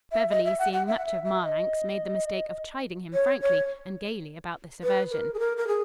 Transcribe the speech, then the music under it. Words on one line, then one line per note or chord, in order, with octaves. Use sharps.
Beverly, seeing much of Marlanx, made the mistake of chiding him frankly and gaily about this aversion.
E5
D#5
E5
F#5
F#5
E5
F#5
E5
E5
D#5
C#5
C#5
B4
A#4
G#4
A#4
A#4
G#4